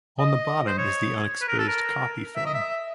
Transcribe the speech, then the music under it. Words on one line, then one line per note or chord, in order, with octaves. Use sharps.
On the bottom is the unexposed copy film.
D#5
C5
C#5
B4
A#4
A4
A#4
E5
D#5
E5